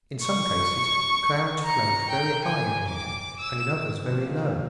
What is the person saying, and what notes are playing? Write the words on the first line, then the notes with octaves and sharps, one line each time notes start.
In some cases clouds float very high in the air and in others very low.
C#6
A#5 C#7
G5
G#5
D6
E6
C3 F3 A#3